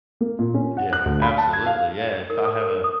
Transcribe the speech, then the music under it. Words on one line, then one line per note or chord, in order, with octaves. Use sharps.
Yeah. Absolutely. Yeah. If I have a
A#3
A#2
C#4
F#5
F#6
D2
B5
A5
G#6
F5
A#4
A4
A#4
D#6